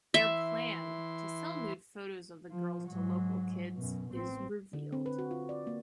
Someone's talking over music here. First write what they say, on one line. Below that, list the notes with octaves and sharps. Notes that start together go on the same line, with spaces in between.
Their plan, to sell nude photos of the girls to local kids, is revealed.
E3 E5 C6
F3
G#2 F#3
F#2 B2
A1 C4
D3
C4
B4
F#4
F4
D5
A#3